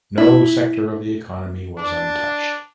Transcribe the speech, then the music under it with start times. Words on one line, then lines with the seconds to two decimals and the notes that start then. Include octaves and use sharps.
No sector of the economy was untouched.
0.18 E4
1.78 D4